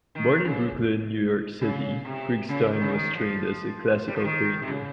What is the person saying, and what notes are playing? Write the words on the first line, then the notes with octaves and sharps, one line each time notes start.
Born in Brooklyn, New York City, Krigstein was trained as a classical painter.
D#3
C#3
C#3
C3
C#3
D#3
C#3
D#3
F3
G3
F3
D#3
C3
C#3